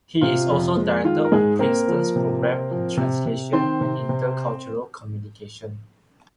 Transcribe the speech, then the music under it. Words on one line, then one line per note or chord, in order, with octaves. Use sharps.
He is also director of Princeton's Program in Translation and Intercultural Communication.
C3 F4
F2
G#3
D#3 F4
A#4
G#2 G#3 G#4
A#3 C4 A#4
F3
C3
C4
F3
C3
C3
D#3 C4 C5
C3
C3